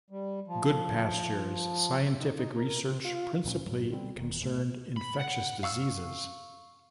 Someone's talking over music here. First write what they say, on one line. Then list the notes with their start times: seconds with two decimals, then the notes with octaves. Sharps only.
Goodpasture's scientific research principally concerned infectious diseases.
0.10 G3
0.47 F3
2.21 D#4
2.39 D#4
2.56 A#4
2.89 C3
3.05 F4
3.44 D2 A#2 G3 C#4
3.66 D2 G#2 F#3
3.91 B2 D3 G3 C4
4.16 E1 A#2 D#3
4.40 D2 A2 G3 A3
4.97 B5
5.20 F#5
5.63 F5 C#6 E6 F6